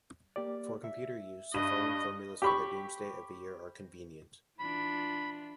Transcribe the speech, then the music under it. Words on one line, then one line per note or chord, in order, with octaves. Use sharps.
For computer use, the following formulas for the doomsday of a year are convenient.
A#3 G4 D5
E5
G2 D#5 D#7
G4 B5 C#6
E3 D4 F4 B5